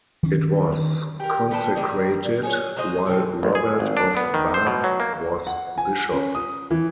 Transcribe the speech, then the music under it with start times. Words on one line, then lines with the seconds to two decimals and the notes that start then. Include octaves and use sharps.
It was consecrated while Robert of Bath was bishop.
0.23 D#3 C#4
1.20 G4 A#4
1.51 D3 B4 G5 A5
1.76 D#3 G3
2.43 G#4 A4 C#5
2.76 F#3 G#3 C5 D#5
3.06 B2 E3 A3 C4
3.43 A1
3.55 G#4
3.80 G#1
3.97 D4
4.17 B3
4.34 D#3
4.54 C5
4.67 B2
4.84 F#3
5.00 A#3
5.47 F#5
5.78 G#5
6.12 C#4
6.35 D#6
6.71 E3